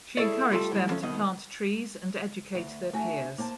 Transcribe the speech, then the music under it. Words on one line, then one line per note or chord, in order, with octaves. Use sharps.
She encouraged them to plant trees and educate their peers.
E4 G#4 A4 C#5 D5
G3 A3 F4 A4 G5 A5
A2 G3
F3 A3 A#3 C#4
C2 B2 D#3 D#5
D2
A3 D4 F#4 E5 G#5
A#3 C5 A5